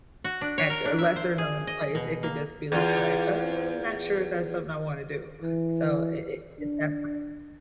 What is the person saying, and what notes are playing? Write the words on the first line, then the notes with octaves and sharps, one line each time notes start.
at a lesser known place, it could just be look like, "Uh, I'm not sure if that's something I wanna do," so i it it's that.
F#4
D4
C#5
A#4
D4
E5
C5
G#4
D#5
B2
A#3
E2 F4
E3
D4